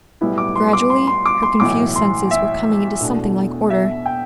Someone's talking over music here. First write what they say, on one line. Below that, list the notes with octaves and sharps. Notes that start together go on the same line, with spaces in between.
Gradually her confused senses were coming into something like order.
B1 A2 G3 B3 E4
D6
C6
D6
C6
C6
D6
C6
B1 A2 E3 D6
C6
E5
E2 B2 A3 D4
E5
G5